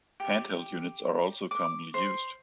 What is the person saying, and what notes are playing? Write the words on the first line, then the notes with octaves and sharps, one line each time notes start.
Hand-held units are also commonly used.
G4
D6
C5